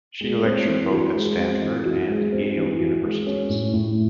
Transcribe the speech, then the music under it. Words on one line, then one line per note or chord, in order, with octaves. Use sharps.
She lectured both at Stanford and Yale Universities.
G#3
C4
E3
F#4
G#3
C4
E3
F#4
G#3
C4
E3
F#4
G#3
C#4
A2
A2